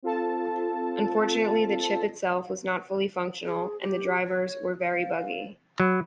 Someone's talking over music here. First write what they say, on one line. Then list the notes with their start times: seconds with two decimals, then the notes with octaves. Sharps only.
Unfortunately the chip itself was not fully functional and the drivers were very buggy.
0.02 C4 F4 A4 A5
3.45 G#4
3.81 G4
4.25 C#5
4.82 F5
5.80 F#3 B5